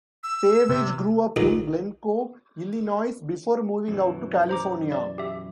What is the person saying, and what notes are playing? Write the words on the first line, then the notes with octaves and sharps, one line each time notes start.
Savage grew up in Glencoe, Illinois, before moving out to California.
E6
C3
A#1 D#2
F#2 B2 E3
C5 A#5 D6
D5
G4 E5